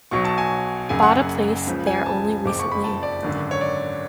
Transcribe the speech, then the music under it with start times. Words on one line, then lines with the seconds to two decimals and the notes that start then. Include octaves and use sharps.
Bought a place there only recently.
0.11 B1 B2 F#3 C#6
0.25 A5
0.38 G#5
0.89 F#1 F#2 C#3 F#3 G#5
1.02 F#5
1.15 F#5
1.67 C#2 C#3 F3
1.87 G#5
2.06 A5
2.45 F#1 F2 F3 D6
2.59 C#6
2.72 B5
2.84 A5
3.03 D5
3.22 G#1 F#2 D3
3.51 C#5
3.61 D5